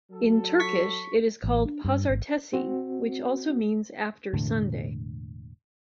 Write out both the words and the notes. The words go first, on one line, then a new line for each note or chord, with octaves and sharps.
In Turkish it is called "pazartesi", which also means "after Sunday".
F#3 A4
C#6 B6
A1
D4
G2
G#1
C4 F#4
E1 A2 D3 A3